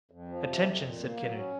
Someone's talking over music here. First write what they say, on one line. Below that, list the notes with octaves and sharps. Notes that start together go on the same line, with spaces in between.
"Attention!" said Kennedy.
F2
F3
C3
F2
A#2
A#3
F#3
C#4